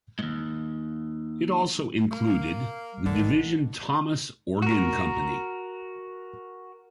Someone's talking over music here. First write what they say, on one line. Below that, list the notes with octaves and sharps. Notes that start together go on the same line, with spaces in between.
It also included the division Thomas Organ Company.
D#2 G#2
A#3
G3
A1 D3 D#3
F#4 A#4